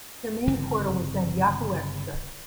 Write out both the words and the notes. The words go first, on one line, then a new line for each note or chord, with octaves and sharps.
Their main portal was then Yahoo!Xtra.
G1 C#3 E3 C4